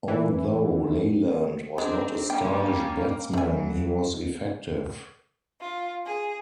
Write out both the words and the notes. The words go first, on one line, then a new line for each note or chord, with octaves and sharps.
Although Leyland was not a stylish batsman, he was effective.
E3
G#3 C4 D4 A#4
G2 G3 A#3 C#4 G5
E3 F#3 A3 G#5
F4
G#4